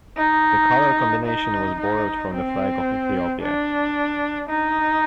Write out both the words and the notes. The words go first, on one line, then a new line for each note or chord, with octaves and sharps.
The colour combination was borrowed from the flag of Ethiopia.
D#4
D#4
D#4
C4
D4
D#4